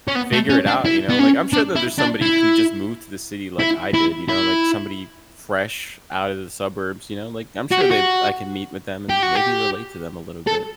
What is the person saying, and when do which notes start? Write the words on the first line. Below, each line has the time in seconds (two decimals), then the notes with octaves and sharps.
figure it out, you know? Like, I'm sure that there's somebody who just moved to the city like I did, you know, like somebody fresh out of the suburbs, you know, like I'm sure they I can meet with them, and maybe relate to them a little bit.
0.08 C#4
0.15 B3
0.33 A3
0.49 C#4
0.67 D4
0.85 E4
1.09 B3
1.19 C#4
1.53 D4
1.76 E4
1.99 D4
2.22 E4
3.59 E4
3.94 E4
4.29 E4
7.71 F#4
7.81 G4
7.91 F#4
9.09 G4
9.22 F#4
9.35 G4
10.47 A4